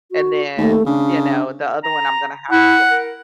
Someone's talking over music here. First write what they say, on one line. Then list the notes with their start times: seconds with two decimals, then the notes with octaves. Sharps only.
and then, you know, the other one I'm gonna have to ki
0.12 F#4
0.58 D#2 A3
0.86 C#3 D4
1.84 A#5
2.51 E4 F#5
2.91 A#4